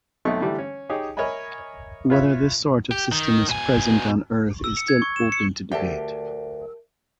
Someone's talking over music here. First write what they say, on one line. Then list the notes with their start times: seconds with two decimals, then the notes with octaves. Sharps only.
Whether this sort of system is present on Earth is still open to debate.
0.25 B1 B2 A3 C4 D#4 C#6
0.41 D3 E3 G3 A3
0.58 C#4
0.89 D#4 G4 G#4 C#5 G#5
1.17 A#4 C#5 D#5 E5 G#5 B5
2.10 F4 B4 C#5 E5
2.91 G4
3.12 D#3
3.49 B2 G#5
4.64 E6
4.77 C#7
4.88 G#6
5.02 C#6
5.16 E7
5.32 C#7
5.72 D2 G4 A#4 E5 A5